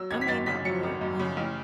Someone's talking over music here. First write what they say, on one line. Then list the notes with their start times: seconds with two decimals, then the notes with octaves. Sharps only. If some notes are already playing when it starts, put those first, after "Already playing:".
I mean, not Ward, um
Already playing: F#3 E6
0.11 G#1 G#6
0.21 B6
0.28 F#2 A6
0.46 C#3 B6
0.65 F#3 C#7
0.83 G#1
1.01 F#2
1.19 C#3
1.37 A1